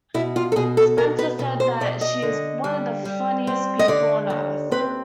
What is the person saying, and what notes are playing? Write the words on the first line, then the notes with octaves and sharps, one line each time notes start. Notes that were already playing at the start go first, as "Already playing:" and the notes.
Spencer said that she is "one of the funniest people on Earth".
B2 E4
F4
A4
B2 G#4
A4
B2 A#4
B4
B2 B4
C5
B2 D5
D#5
D3
G3
G3
C4
D#5
D3 D5
D#2
C4 B4